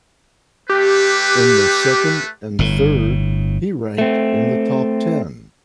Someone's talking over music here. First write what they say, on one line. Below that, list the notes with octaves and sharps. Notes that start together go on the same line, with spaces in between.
In the second and third he ranked in the top ten.
A3 G4 B4
G1 A2
A3 C4